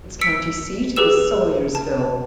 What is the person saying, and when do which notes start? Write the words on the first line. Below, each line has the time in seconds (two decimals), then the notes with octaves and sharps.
Its county seat is Salyersville.
0.21 E6 B6 C#7 D7
0.96 G4 G#4 B4 E6 E7
1.75 A5